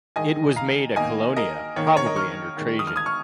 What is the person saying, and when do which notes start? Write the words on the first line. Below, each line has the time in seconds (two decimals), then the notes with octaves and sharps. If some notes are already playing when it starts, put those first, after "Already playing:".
It was made a colonia probably under Trajan.
0.16 D#3 G#3 D#5 G#5
0.56 F5 A#5
0.96 D#3 A#3 D#5 G#5
1.36 A#4 D#5
1.76 D#3 A#3 C#5
1.87 A#4
1.97 C#5
2.06 A#4 D#5
2.16 C#6 F6
2.57 D#3 G#3
2.79 D#6
2.87 F6
2.96 D#6 G#6
3.06 C#6 F6